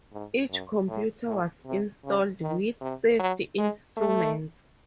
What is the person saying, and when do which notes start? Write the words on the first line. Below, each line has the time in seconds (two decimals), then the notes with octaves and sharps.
Each computer was installed with safety instruments.
0.13 G#2
0.50 F#2
0.89 A2
1.27 A2
1.66 C3
2.05 C#3
2.42 D#3
2.81 C3
3.20 F#3
3.58 G#3
3.97 A3